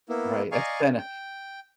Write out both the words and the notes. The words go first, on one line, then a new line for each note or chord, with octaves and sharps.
right, that's kinda
A#3 B3 E4
D5 D#5 F5 G#5 A#5 C#6
G5